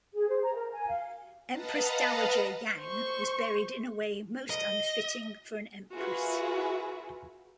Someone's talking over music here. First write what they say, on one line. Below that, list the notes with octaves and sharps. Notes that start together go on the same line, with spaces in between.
Empress Dowager Yang was buried in a way most unfitting for an empress.
G#4
C5
A#5
A#4
G#5
F5
B4 D#5 F5 F#5 A5 A#5
C5 C#6
D#5
F4 F#4 G#4 A#4 B4 E5